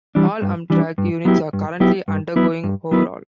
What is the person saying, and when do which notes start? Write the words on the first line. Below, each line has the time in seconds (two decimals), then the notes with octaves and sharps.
All Amtrak units are currently undergoing overhaul.
0.15 E3 G3 D4
0.42 G2
0.70 E3 G3 D4
0.98 G2
1.25 F#3 B3 E4 G4
1.53 G2
1.80 F#3 B3 E4 G4
2.08 G2
2.36 F#3 B3 E4 B4
2.64 G2
2.91 F#3 B3 E4 B4